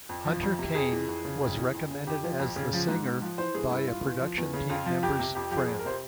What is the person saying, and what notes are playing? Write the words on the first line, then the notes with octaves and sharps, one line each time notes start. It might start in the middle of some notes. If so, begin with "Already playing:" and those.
Hunter Kaine was recommended as the singer by a production team member's friend.
F2
F3
F2
C3
F2 G#4
E3
F2
C#3
F2
E3
F2
C#3
F2 G4
F3
F2
C#3
F3
G#2
G#2
F3
E3 C5
G2 G#4
G2 E4
E3 F4
E2
F3
E2
C#3
F2 F4
F3
F2 G4
C3
F2 G4
F3 G4
G#4
F2
A#4
C3 C5